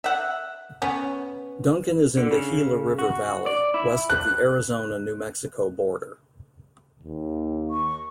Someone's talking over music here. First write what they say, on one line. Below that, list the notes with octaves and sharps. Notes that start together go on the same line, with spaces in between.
Duncan is in the Gila River valley, west of the Arizona-New Mexico border.
E5 F#5
B3 C#4
D3
C#3
F#4
D5
E4
F#6
D#2
C#6